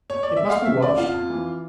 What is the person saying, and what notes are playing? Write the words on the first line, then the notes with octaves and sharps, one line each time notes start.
'It must be watched.
C#5
D5
E5
A3 F5
C#3 E5
F2 D5
F3 F4
F2
E3